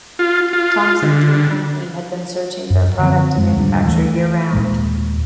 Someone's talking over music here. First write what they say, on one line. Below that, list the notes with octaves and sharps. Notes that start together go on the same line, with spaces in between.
Thompson Tool Company had been searching for a product to manufacture year-round.
F4
F4
D3
F#2
D3 F3 C4
F#2 G#3
D1 D#2 G3 D4
E3 A3
D#2 A#2 G#3